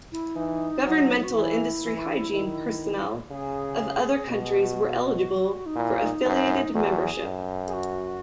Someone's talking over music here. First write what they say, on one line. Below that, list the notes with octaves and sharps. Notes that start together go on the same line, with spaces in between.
Governmental industrial hygiene personnel of other countries were eligible for affiliated membership.
E4
E3 D#4
F#3
F#4
E3 E4
E3
D#3
C#3 G#4
B2 F#4
G#4
F#4
D#4
A#2 E4
D#4
F#2
E2 F#4
G#4
F#2
G#4
F#4